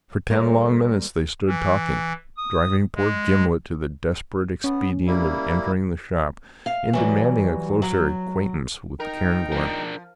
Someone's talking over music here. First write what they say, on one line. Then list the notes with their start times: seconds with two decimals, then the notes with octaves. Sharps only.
For ten long minutes they stood talking, driving poor Gimblet to the desperate expedient of entering the shop and demanding a closer acquaintance with the cairngorm.
0.30 D#2 G3 A3 A#3 A#4 C5 C#5
1.47 E3
2.37 D#6
2.96 G#3
4.64 B3 C#4
5.07 G3 A#3 E4
6.66 F5
6.93 E3 F#3 G3
7.82 F#3
9.00 D#4 A#4 G5 A#5
9.52 F3 D4 A#4